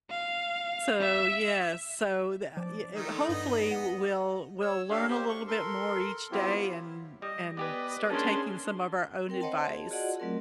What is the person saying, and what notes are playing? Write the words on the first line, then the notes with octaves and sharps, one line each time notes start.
So, yeah, so tha i w hopefully, we'll we'll learn a little bit more each day and and start taking some of our own advice.
F5
E5
F3 D4 D5
D#3 A3 D4 D#4
G2 B3 D#5
F#5
C#5 E6
A3 D4 G4 A4 F5
G4 C5
C#6
A4 A#4 C6
F#3 B3 C4 E4 F4 G4
G3 D#5
B3 G4 B4 D5 D#5 G#5
G#3 A#3 C#4 D4 G#4 A5 C6
C4 A#4 G5
C5 C#5 D#5 F#5 A5 C6
G#4 A5
F4 F#4 G#4 D5 D#5 F#5
F#3 A3 C4 A#4